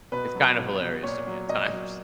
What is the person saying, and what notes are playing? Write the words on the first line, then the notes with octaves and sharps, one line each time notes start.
It's kind of hilarious to me at times.
B2 B4
F#3
B2
B2
A#2 C#5
F#3
A#2 D#5
F#3